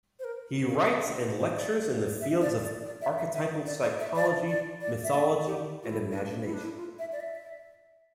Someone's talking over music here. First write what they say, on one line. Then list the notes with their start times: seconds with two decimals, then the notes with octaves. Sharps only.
He writes and lectures in the fields of archetypal psychology, mythology, and imagination.
0.19 C5
0.24 A#4
0.68 A#4
1.06 D4
1.22 E4
1.39 C5
1.55 D5
2.21 E5
2.42 D5
2.63 D5
2.85 D5
3.01 E5
3.18 E5
3.34 E5
3.67 D5
3.83 D5
4.00 E5
4.16 D5
4.48 D5
4.81 D5
5.03 E5
5.14 D5
5.46 G4
5.83 F4
5.90 E4
6.11 D4
6.30 D4
6.44 E4
6.54 D4
6.64 E4
6.76 F4
6.99 E5
7.12 D5
7.20 E5